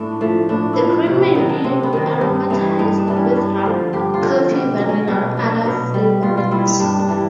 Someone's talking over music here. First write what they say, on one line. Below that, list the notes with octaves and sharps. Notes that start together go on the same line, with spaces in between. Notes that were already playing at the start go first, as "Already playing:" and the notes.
The cream may be aromatized with rum, coffee, vanilla, or other flavorings.
Already playing: A2 D4 E4
F3 A3
A2 D4
E4
F3 D#4
C3
D#4
E4
D#3 F#3 D#4
D4
C3 C4
B3
D#3 F#3
C4
G2 C#4
E3 G3 D#4
G2 D#4
D4
E3 G3
C#4
D4
G2 C#4
D3 F3
G2 G4
F4
D3 F3 F#4
B2 G4
F#3
C#4
B2 D4
F#3 D#4
D4
B2 D#4
G3
B2 F4
F4
G3 E4
D#4
G2 D4
D4
E3 G3